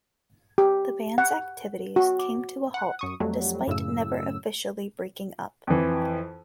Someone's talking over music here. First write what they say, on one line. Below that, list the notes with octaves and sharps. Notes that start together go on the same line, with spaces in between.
The band's activities came to a halt, despite never officially breaking up.
G4
F#5
F#4
D6
F#5
F#2 C#6 D#6
F2 F#3 G3 A3
F#2 A2 C#3 E6
F2 E3